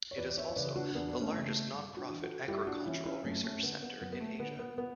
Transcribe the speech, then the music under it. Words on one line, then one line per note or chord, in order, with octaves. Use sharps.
It is also the largest non-profit agricultural research center in Asia.
C#5
E2 B4 D5
D5
C#5 E5
C#5
C#3 E3 B4 D5
D4 F#4
E2 B3 D4
D4
A3 C#4
C#3 E3
A3
G2
D4 F#4
E3
F#4 A4
G2 E4 G4
D4 F#4
E3 C#4 E4
C#4 E4
F#2 A3 C#4
A3 C#4
C#4
D3 B3
B3
F#2 B3
B3
A3
D3 B3
B3
B3